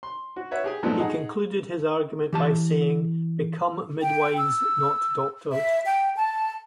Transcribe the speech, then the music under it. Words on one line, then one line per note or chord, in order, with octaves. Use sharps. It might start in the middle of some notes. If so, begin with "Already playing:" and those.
He concluded his argument by saying Become Midwives, not doctors!
C6
F#4
B4 C#5 E5 F#5
G4 G#4 G#5
G#2 F3 F#3 A3 B3 D4
D#4 G#4 F#5
E3 G4 A5
G5
E6
E5
G5
A5